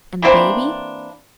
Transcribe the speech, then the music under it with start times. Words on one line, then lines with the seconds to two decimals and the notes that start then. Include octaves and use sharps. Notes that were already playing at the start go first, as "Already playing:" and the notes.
And the baby?'
0.22 E3 A#3 C4 D4